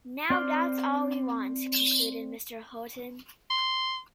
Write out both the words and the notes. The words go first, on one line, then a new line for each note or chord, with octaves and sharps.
"Now that's all we want," concluded Mr. Houghton.
C4 D5 C6 F6
C6